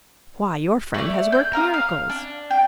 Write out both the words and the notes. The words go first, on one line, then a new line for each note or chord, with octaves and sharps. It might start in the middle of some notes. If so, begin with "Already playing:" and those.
"Why, your friend has worked miracles."
A3 D5
G6
A#4 F5 D#6
F5
D4
G5